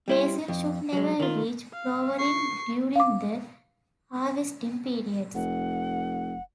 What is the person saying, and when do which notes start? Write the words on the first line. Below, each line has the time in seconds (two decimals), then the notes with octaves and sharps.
Basil should never reach flowering during the harvesting periods.
0.08 G3 E4 C5
0.48 F2
0.93 F#3 G#3
1.20 D#3 F4
1.73 F5
2.19 C#6 C7
2.96 F5 D6
5.35 F1 F#5